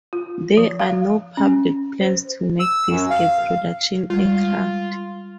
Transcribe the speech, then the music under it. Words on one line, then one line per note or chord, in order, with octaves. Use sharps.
There are no public plans to make this a production aircraft.
F4
F3
F5
C#4
C5
E6
F#2
F5
G3 G#3 F4